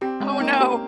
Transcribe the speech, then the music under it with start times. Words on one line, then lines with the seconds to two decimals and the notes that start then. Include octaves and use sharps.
Oh, no!
0.01 C4 G4
0.20 G#3 C#4
0.32 C4
0.40 A#3 D#4
0.60 G4